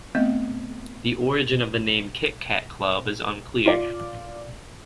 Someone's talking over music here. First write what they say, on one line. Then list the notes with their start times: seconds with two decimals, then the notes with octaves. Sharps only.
The origin of the name "Kit-Cat Club" is unclear.
0.15 A3 B3 C4 D#5
3.66 F4 D5 F5